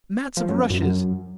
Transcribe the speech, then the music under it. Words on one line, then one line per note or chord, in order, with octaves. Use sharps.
Mats of rushes.
F3
F#2
F2
F#2
F#2